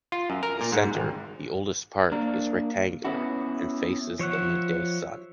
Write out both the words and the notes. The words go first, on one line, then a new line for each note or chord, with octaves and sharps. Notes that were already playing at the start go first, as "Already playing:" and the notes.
The center, the oldest part, is rectangular and faces the midday sun.
F4
F#2
A#4
A#2
G#2
G#1
A#3 D4 A#4
B3 C#4 E4 F#4
F3 C#5 E5 F#5